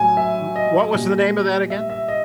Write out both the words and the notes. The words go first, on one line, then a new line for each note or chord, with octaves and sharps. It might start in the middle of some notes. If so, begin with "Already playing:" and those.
W w what was the name of that again?
Already playing: A2 F#3 G#5
E5
D#5
A#2 G3
E5
E5
D#5